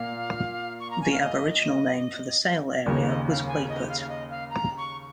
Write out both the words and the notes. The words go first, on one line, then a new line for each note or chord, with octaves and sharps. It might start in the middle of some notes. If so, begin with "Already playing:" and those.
The Aboriginal name for the Sale area was Wayput.
Already playing: A#2 A#3 F5
C#6
A#5
G#5
F5
D#5
D#2 C#3 A#3 C#5
D#5
F5
G#5
D#5
F5
F5
D#5
F5
A#5
C#6